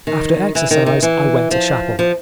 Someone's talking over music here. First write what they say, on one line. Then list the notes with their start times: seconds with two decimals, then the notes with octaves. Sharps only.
After exercise I went to chapel.
0.07 D#3
0.55 E3
0.71 D#3
0.86 D#3
1.02 E3
1.51 F3
1.99 F3